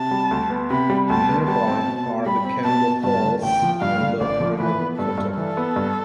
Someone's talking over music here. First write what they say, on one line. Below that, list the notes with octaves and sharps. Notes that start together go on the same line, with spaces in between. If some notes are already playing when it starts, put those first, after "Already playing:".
Nearby are the Kembe Falls on the River Kotto.
Already playing: C3 A5
G3
D2
B3
C3 B5
G3
D2 A5
B3
G3 A5
C4
B2
B2
G3 B5
C4
B2 A5
B2
G2 A5
D3
A1 G5
F3
G2 F5
D3
A1 D5
F3
E3 B4
B3
G2 A4
G2
E3 A4
B3
G2